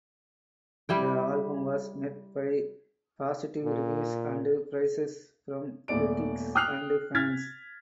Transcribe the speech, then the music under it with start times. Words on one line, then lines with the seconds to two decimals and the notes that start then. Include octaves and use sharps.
The album was met by positive reviews and praise from critics and fans.
0.89 G3 E4 G5
3.64 A#2
5.88 D#1 A3 B3 D5 D7
6.55 G5 D#6 F6 F#6 C7 F7
7.15 F6 G#6 A6 B6